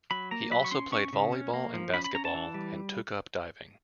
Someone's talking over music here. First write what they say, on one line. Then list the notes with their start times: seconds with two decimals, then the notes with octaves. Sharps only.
He also played volleyball and basketball and took up diving.
0.11 F#3 B5
0.31 A#3 A#5
0.51 F#3 B5
0.64 C#6
0.71 C#4 C6
0.92 C#4 C#6
1.13 C#3
1.33 C#4
1.54 A#3
1.74 F3
1.94 C#4 B5
2.04 B5
2.14 C#4 A#5
2.25 A5
2.34 E3
2.54 G3